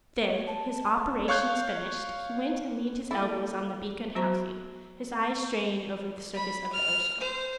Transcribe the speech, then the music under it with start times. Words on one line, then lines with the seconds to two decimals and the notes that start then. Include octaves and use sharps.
Then, his operations finished, he went and leaned his elbows on the beacon housing, his eyes straying over the surface of the ocean.
0.25 C#5
0.47 A5
1.28 C#5 F5 C#6 F#6 G6
3.11 A#3 E4 A4 D5 D#7
4.15 F#3 B3 F#4 C5 A#5 C#6
6.34 B5
6.72 F6
7.20 C5